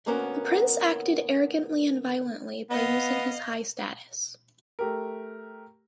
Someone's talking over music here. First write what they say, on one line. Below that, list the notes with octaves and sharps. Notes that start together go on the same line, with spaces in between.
The Prince acted arrogantly and violently by using his high status.
D2 A#3 B3 C#4 A#4 F#5
B3 D#5 F5
A3 G4 A#4